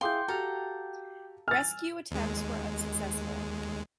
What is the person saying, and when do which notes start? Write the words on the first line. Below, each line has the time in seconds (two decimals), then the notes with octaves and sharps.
Rescue attempts were unsuccessful.
0.01 E4 G#4 F5 G5 C6 D6 G6
0.28 F#4 G4 A4 F5 A#5
1.48 G#5 E6 F6 A6
2.11 D#2 G#3